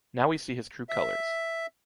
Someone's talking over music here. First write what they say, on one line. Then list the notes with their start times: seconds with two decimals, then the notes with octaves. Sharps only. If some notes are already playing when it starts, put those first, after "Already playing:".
Now we see his true colors.
0.89 E5